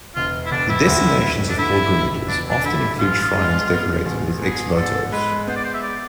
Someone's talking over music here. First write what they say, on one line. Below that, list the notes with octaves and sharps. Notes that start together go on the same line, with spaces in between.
The destinations of pilgrimages often include shrines decorated with ex-votos.
E1 F4
E4
E1 D4
E4
D2
E1
D4
D3 E4
E1
E1 D4
D4
D3 E4
A1 F4
G#3
B3
A1
B3 G#4
G#2 A4
G#3 B4
B3 C5
D5
C5
E5
D5